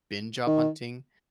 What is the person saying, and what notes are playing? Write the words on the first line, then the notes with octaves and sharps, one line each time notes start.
been job hunting,
D#3